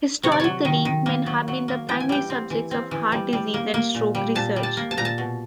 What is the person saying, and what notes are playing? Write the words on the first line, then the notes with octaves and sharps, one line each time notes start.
Historically men have been the primary subjects of heart disease and stroke research.
C3 C#5
D5
F#3 C#5
D#3
D#3
A#3
F#3
F#3
A#3
E3 G5
G#5
G3 G5
C4
E3
C4
E3
G3
G3
A#3
A#3
A#2
G3
A#2 A5
G3
A5
A#3
A5
A#2 A#5
A5
B2